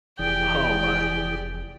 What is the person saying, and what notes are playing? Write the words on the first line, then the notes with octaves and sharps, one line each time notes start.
Oh, my.
F1 E3 G4 G#4 D5 G5